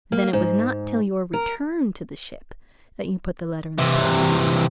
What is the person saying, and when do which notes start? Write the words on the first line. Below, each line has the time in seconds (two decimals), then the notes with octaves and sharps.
"Then it was not till your return to the ship that you put the letter in the portfolio?"
0.12 A#3
0.33 G#2
1.33 A#4
3.79 C3 E3